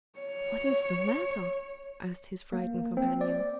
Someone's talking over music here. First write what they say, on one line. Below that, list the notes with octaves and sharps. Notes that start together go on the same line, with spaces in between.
"What is the matter?" asked his frightened companion.
C#5
A#3
C4
D5